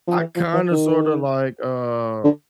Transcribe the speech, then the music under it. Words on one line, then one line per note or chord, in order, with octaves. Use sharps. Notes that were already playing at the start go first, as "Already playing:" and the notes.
I kinda sorta like, uh
F3
E3
F3
E3
D#3
D3